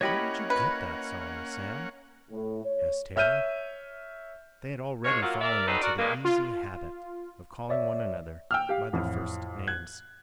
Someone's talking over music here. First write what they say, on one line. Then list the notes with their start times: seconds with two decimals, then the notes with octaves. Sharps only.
"Where did you get that song, Sam?" asked Harry--they had already fallen into the easy habit of calling one another by their first names.
0.01 A#3 C#4 E4 G4 C#5 D#5 F#5 B5
0.50 B4
2.31 A2
2.64 C#5
3.16 C#5 E5 F6 G6 D#7
5.05 G#2 G#3 A#3 C#5
5.22 F#3 A#3 F4
5.40 A#4 D5 E5
5.67 B2 C4 C#4 D#4 A4 B4
5.81 F#4 A#4 D5
5.99 G2 G#3 A#3
6.25 F4
7.69 C#5 D5 E5
8.51 G5 E6 F6
8.69 G4 F5
8.93 A1 F2 E4
9.67 F#6 G#6